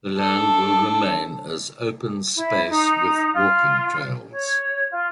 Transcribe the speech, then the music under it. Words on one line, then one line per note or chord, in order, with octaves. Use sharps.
The land will remain as open space with walking trails.
D4 A4
E4
D#4
F4
C#5
F4